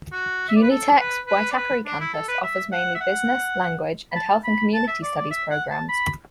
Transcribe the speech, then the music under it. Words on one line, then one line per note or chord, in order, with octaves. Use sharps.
Unitec's Waitakere campus offers mainly business, language, and health and community studies programs.
F#4
E5
D5
B4
A4
B4
B4
D5
B4
D4
E4
A4
B4
E5
F#5
E5
F#5
B5
A5
B5
A5
E5
D5
D5
E5
F#5
A5
B5